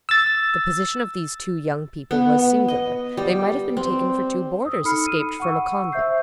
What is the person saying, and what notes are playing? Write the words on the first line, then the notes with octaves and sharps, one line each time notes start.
The position of these two young people was singular; they might have been taken for two boarders escaped from a convent.
E6 A6
B3
B3
D#5
G3
C4
D#6 E6
D#4 A4 B5 F6 C7 C#7
D#7
F#5 C#6 E6
C5 E5 E6 G6 C7